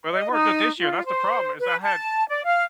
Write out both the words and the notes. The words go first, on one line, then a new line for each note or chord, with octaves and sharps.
Well, they weren't good this year, and that's the problem is I had
D#5
D#4
F4
C5
B4
A5
D5
F5